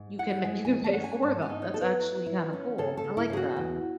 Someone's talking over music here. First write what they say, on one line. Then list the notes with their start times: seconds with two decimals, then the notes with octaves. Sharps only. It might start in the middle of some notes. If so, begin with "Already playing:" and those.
you can you can pay for them, that's actually kinda cool, I like that.
Already playing: G#2
0.19 E4 F#5
0.45 G#3 G#5
0.65 G#5
0.71 D#3
0.84 A5
0.94 C#4 F#5
1.04 G#5
1.22 G#2 A5
1.42 G#5
1.49 D#4
1.62 C#5
1.74 B3 A4
1.81 B4
2.01 E4
2.26 E4
2.53 C#4
2.78 C#3 A4
2.97 A4
3.04 C#3
3.17 E4
3.30 C#3 G#4
3.37 F#4
3.57 E2